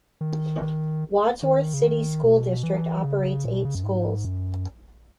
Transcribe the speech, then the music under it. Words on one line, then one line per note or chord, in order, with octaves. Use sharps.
Wadsworth City School district operates eight schools.
D#3
D#3
D#3
C#3
D#3
B2
E3
C#3
A#2
B2
C#3
F#2
G#2
F#2